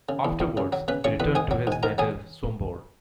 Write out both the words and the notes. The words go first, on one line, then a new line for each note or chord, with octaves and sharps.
Afterwards he returned to his native Sombor.
C#3
E2
E2
C#3
F#3
C#3 B4 B5
C#3 C#5 C#6
E2 B4 B5
G#2 G#4 G#5
F#3
G#2 G#5
G#2 A#4 A#5
F#3 G#4 G#5